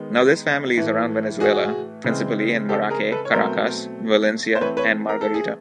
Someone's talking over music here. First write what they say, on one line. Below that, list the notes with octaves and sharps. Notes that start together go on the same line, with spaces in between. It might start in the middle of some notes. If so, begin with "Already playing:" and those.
Now this family is around Venezuela, principally in Maracay, Caracas, Valencia and Margarita.
Already playing: D#3 G#3 B3
A2 E3 A3
F#4 G#4
C#3 E3 G#3 C4
G4 A4
G#4 A#4
A4 B4
C#5
B2 F#3 A3 C4 A#4 C5
C5
E3 A3 C4 B4 C#5
B4 C#5
A#4
A4
G#4